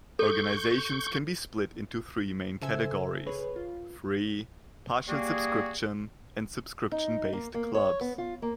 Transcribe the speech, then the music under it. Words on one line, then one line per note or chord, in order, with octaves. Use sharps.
Organizations can be split into three main categories: free, partial subscription, and subscription-based clubs.
A4 C#6 G6
C#3 A4 C5 E5 G#5 E6
G#4 B4 C#5
F4
G3 A#3 F#4 G#4
D#4
A#3
A#3
C#5
B3
F4
A#3